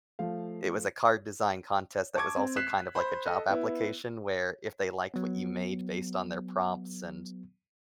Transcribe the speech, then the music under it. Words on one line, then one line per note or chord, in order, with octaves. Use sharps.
it was a card design contest that was also kind of like a job application where if they liked what you made based on their prompts and,
F3 A3 F5
A5 C#6 D6 G#6
C4
F#6 B6 C7 E7
C5 B5
A4 D#5
B3 E4
F#3 B3